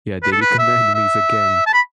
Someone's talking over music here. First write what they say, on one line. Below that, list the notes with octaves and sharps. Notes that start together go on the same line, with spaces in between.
Yeah, they become enemies again.
B4
A4
B4
E5
E5
A5
B5